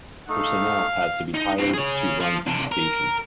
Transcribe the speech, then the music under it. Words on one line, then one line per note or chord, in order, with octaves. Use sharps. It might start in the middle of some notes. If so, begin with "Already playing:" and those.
Personnel had to be hired to run these stations.
A3 D#4 F5
D#4
E3 C4
G#4 C#5
F3
C3 D4
A#4